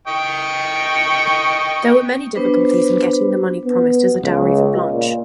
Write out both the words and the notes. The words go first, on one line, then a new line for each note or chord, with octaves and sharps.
There were many difficulties in getting the money promised as a dowry for Blanche.
D#5 G5 C#6
B3 D4 B4 C5
B3
C#2
A#2